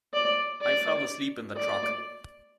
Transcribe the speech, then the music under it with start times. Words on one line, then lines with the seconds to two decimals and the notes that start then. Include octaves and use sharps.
I fell asleep in the truck.
0.13 D5
0.61 D5
1.56 D5